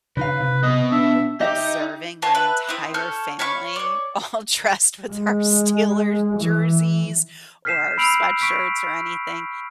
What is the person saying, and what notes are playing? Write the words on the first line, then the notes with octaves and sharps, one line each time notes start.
observing my entire family all dressed with our Steelers jerseys or our sweatshirts or anything
C#3 D#4 B4 F5
C3
B2 D#5
D4 E5
D#4 G4 D#5 E5
F4 C#5 A5
B4 E5
C4 E4 D#6
A4 C#5 F6 G6
C#5 F5 B5 C#6
C#5 D5
G#3
E3
F6 G6 B6 C7 D#7 E7
B5 E6 C7 D7 F7 F#7
C#6 B6 D7